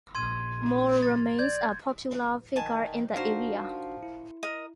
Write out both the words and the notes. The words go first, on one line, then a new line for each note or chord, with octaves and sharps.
Mao remains a popular figure in the area.
A#1 C6 G#6 D#7
A6
D5 G6 G#6
D#3 G#5 A5
F3 D4 D#4 F#4 A#4 C5
E4
A#4 D#5